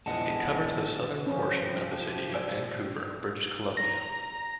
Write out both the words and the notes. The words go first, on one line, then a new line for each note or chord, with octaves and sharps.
It covers the southern portion of the city of Vancouver, British Columbia.
A#1 E2 G#3 D#5 F#5 A5
C3 F3 C#4 G4
D5 G#5 E6
A#5 A#6